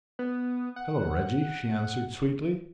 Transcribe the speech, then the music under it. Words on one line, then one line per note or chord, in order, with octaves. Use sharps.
"Hello, Reggie!" she answered sweetly.
B3
F#5